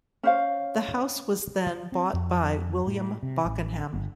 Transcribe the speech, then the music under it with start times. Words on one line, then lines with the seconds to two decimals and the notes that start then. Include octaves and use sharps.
The house was then bought by William Bockenham.
0.23 C#4 C5 F5
1.67 F3
1.92 C4
2.13 F2
2.87 A2
3.23 C3
3.45 A1
3.94 G1